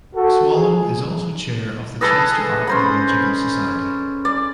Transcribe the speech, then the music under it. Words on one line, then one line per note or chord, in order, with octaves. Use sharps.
Swallow is also Chair of the Chester Archaeological Society.
F#4 A4
F3 G#4
G#4 A4 B4 D#5
C#4 C5 B5
D5